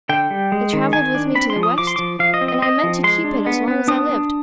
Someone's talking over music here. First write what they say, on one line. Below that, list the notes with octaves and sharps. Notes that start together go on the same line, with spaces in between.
It traveled with me to the West, and I meant to keep it as long as I lived.
D3 G5
G3
G#3
D#3
D#3 G#5
D4
C4 B5
C6
F3
D#6
F3 D6
C6
F3 D6
F3 F5
D#5
C4
D#5
C4 D#5
F3
G#3 C6
D4
B3
B3
D4 D#6
D4